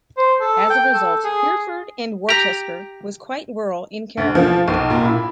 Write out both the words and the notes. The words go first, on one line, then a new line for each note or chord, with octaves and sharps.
As a result, Hereford and Worcester was quite rural in character.
C5
A4
G5
A4
G#4
G4 A#5
D2
F3
B1
A#2
E4